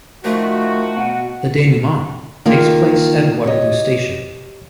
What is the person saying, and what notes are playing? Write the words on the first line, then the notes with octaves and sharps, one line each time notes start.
The denouement takes place at Waterloo Station.
D#3 F3 A3 F#4
B2 F#5
D#3 A#3 F4
G4 C#5 D#5